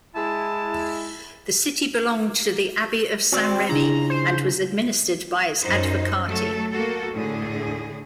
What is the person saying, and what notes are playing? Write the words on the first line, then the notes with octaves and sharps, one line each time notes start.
The city belonged to the Abbey of Saint-Remi and was administered by its advocati.
G#3 E4 A5
C4 F#4 D5
C#3 D4 E4 F4 G#4 A#5
C5
F#2 D#4 C5
F#3 A3 A4
A#3 F#4 A4
A2 D3 G#4